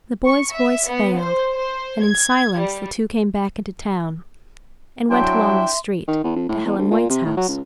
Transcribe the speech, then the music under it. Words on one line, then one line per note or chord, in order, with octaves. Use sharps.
The boy's voice failed and in silence the two came back into town and went along the street to Helen White's house.
C#6
E5
B3
C5
C5
G#6
G3
F#3 D4 E4 E5 G5 C6
D#3
E2
F2
A2
E2
D2
A#2
C3
A2
F#3
C#2